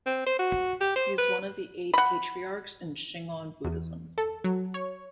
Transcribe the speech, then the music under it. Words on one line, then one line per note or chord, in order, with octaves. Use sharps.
He is one of the eight patriarchs in Shingon Buddhism.
C4
C5
F#4
G4
C5
B4
F#5 B5
E2
A4
F#3
C#5